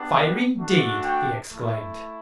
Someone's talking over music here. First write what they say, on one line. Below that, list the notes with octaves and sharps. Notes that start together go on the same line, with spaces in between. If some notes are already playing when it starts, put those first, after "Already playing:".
"Fire, indeed!" he exclaimed.
Already playing: B3 D4 G4
A3 D4 F#4
G5
A3 E4